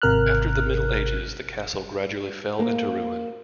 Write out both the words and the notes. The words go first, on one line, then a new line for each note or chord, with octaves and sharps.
After the Middle Ages, the castle gradually fell into ruin.
G#1 C3 A#4 F6 F#6
A#3